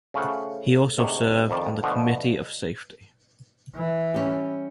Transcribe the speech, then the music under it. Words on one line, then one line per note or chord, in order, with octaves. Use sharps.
He also served on the Committee of Safety.
C#3 A3 F4 C5 F#5
D2 G#2 C3 C#5 D5
F2 D#3 D5
B2 D3 F3 A3 B3 F#4
E3
G3 C#4 G4